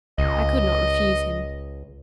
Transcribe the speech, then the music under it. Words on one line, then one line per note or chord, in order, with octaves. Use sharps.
I could not refuse him.
C#2 D#5